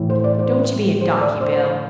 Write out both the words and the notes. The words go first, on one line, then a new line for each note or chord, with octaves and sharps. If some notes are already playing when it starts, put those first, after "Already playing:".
Don't you be a donkey, Bill.
Already playing: A2 E3
C5
D5
C5
C5
D5
C5